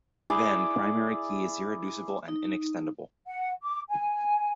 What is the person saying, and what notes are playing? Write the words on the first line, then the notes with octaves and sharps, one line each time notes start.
Then, primary key is irreducible and inextendable.
E4 G#4 D5
D#4
F#5
D6
G#5